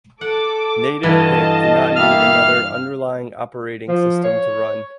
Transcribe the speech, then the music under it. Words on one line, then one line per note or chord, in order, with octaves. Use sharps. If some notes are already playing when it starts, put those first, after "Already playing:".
Native Pick did not need another underlying operating system to run.
A4 F#5 D6
G2 E3 F#4 A4 D#5 F5 A5
G3 A#3 E5 F5 F6
F3
C#5